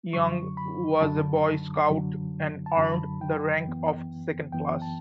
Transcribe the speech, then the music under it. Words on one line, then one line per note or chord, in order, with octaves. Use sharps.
Young was a Boy Scout and earned the rank of Second Class.
F#2 D3 F#3 C#6
B5
F#2 D3 F#3 A5
F#2 D3 F#3
A5
F#2 D3 F#3 B5
G5
F#2 E3 B3
F#2 E3 B3 G5
A5